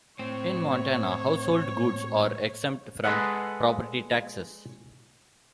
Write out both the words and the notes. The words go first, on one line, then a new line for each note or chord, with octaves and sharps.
In Montana, household goods are exempt from property taxes.
A2 C4 C#5
G#3 A4 B4 F#5